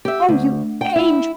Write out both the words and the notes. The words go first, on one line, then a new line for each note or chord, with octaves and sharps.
Oh, you angel!
G4 E5
D2
G5
E4